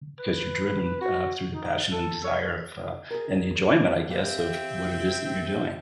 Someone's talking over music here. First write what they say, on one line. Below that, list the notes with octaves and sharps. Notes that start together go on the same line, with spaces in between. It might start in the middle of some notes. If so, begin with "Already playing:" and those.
because you're driven, uh, through the passion and desire of, uh and the enjoyment, I guess, of what it is that you're doing.
B4
F#4
D#4
A4
C#5
G#4 A#4
C4 G4 E5 F5 G5